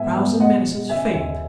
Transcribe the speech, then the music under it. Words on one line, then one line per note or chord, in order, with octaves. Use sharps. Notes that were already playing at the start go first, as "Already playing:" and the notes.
Frowns and menaces failed.
Already playing: G#2 B3 E5 G#5
B3
B2 D#5 F#5
B2
C#3 E5 G#5
D#2 E5 G#5